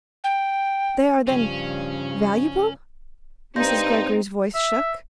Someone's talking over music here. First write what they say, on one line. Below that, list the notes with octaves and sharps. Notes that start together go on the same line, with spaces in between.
"They are, then--valuable?" Mrs. Greggory's voice shook.
G5
G2 C#3 F3 G3 C#4
G2 C4 D#4 C6 G6 A#6
E5